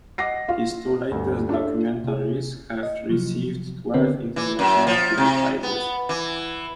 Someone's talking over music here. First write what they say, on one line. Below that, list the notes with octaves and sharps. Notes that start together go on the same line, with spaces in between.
His two latest documentaries have received twelve International Film Prizes.
D#5 F#5 D6 A#6 C7
F4 F5
D2 G2
D4 F4 A4 E5
C3 G#4
D#5
C3 F3 F#3
D3 B3 C4 A#4 B4 C#5
E3
F#2
F3
C3
B3
E3